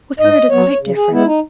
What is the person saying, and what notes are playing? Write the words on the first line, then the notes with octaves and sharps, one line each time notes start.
With her it is quite different.
G#2 D#5
F#3 B3 C#5
C#3
G#4
G#3 B3 E4
D#4